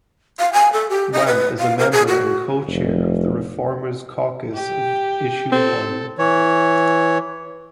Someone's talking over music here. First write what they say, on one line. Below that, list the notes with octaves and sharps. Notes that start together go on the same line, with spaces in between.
Wamp is a member and co-chair of the ReFormers Caucus of Issue One.
F5
G#5
A4
G4
D#5
B4
F5
A#4
G#4
F#4
F1
G4
C4 A4
E3 C#5